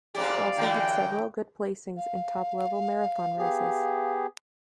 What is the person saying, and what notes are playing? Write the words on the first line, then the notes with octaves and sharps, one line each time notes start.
She also had several good placings in top level marathon races.
F2 G#2 G4 D5 F5
D3 E3 F#3 G5
F5
B3 G4 G#4